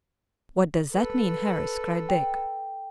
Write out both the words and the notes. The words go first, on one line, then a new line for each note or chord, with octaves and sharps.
"What does that mean, Harris?" cried Dick.
A4 B4
G5